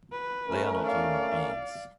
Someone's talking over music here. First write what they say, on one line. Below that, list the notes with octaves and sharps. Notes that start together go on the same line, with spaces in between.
They are not human beings.
B4
A3 C#4 A#4
D5 F5